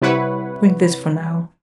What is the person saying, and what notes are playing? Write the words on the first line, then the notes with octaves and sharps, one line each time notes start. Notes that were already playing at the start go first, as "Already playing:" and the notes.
Drink this for now.
C3 G3 E4 B4 C#5 F#5